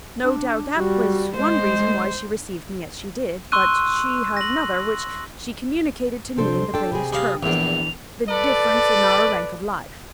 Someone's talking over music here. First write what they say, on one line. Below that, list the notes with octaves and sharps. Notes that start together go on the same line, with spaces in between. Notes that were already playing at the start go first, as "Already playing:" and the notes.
"No doubt that was one reason why she received me as she did; but she had another, which she communicated to me in the plainest terms--the difference in our rank of life."
D4
G3 F#4
G#3 C5
C6 C#6 E6 F#6 D#7
A#6 F#7
C3 F3 C4 D4 A4 C5 C6
D4 A4 G5
C3 G#4 B5
G3 F5 D#6
A#1 E2 E3 D4 F7
A4 B4 D5